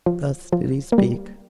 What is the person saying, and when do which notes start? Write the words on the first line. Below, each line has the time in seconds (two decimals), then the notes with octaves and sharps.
Thus did he speak.
0.06 F3
0.53 F3
0.92 A#3
0.98 G3